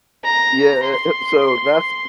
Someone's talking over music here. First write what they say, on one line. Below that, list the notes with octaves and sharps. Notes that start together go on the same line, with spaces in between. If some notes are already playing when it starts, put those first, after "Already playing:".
yeah, so that's
A#5
C6